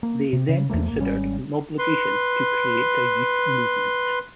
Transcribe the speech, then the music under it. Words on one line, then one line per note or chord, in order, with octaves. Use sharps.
They then considered an obligation to create a youth movement.
A#3
C3
C#3
E2 F3 A3 A#3
G#1 A#3
G#1 G3 C#4
B4 C6